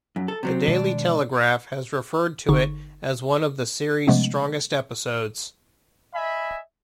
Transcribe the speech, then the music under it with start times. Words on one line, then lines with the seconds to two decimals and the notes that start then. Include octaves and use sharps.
"The Daily Telegraph" has referred to it as one of the series' strongest episodes.
0.16 F#2
0.28 A4
0.43 C3 F#3 C4
0.68 B2 D#3 G#3 D4
2.49 G1 D3 D#4 C#6
4.07 C3 F3 G#3 A3 B3 C#4
6.14 D#5 E5 G#5 B5